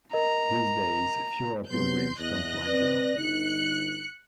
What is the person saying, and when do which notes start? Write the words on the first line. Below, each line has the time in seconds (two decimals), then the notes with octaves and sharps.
These days, fewer pilgrims come to Einsiedeln.
0.13 A#4 D#5 A#5
1.70 C3 F#3 B3 C6 G6
2.19 E2 D#5 F#6 A#6
2.66 C4 B4 D5
3.16 G1 D#4 F#6 C#7